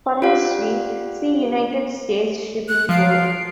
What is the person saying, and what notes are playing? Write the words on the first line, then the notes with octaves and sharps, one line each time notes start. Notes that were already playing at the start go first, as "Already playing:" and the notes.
For a history, see United States Shipping Board.
F4 G4 D5 F5 F#5
F#6
F3 F5 C7 D7